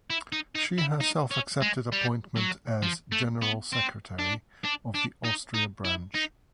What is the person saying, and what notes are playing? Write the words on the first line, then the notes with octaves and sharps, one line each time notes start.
She herself accepted appointment as "General Secretary" of the Austria branch.
E4
D#4
D#4
E4
D#4
C#4
G#3
G3
F#3
F3
A3
B3
C4
D4
D4
D4
D#4
D#4
E4
D#4